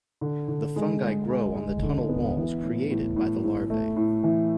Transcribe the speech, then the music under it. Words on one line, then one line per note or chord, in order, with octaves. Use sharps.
The fungi grow on the tunnel walls created by the larvae.
D3
D3
G#3
G#3
G#3
G#3
D3
B3
E3
A2
A2
A2
A2
A3
A2
E3